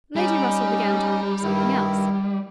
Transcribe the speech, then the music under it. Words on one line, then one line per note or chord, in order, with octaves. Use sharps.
Lady Russell began talking of something else.
G3 C#4 D#4
G2 D#3 E4